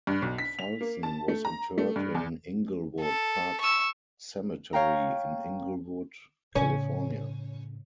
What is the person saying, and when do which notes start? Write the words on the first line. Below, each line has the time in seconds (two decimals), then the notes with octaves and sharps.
Fulson was interred in Inglewood Park Cemetery, in Inglewood, California.
0.07 G2
0.22 B1
0.38 B6
0.59 F7
0.81 A#3
1.03 A5
1.28 A3
1.45 A#5
1.78 A3
1.96 G2
2.15 E2
3.01 A4
3.61 C#6 E6
4.73 C#5 F5 G5 A#5
6.55 A2 C#3 C#4